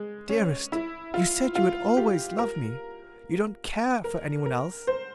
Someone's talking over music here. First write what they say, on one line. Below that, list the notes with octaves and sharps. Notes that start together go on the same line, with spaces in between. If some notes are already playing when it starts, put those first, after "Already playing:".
Dearest, you said you would always love me--you don't care for anyone else.
Already playing: G#3
C#4
E4
F4
F4
G4
A#4
A#4
A#4
C5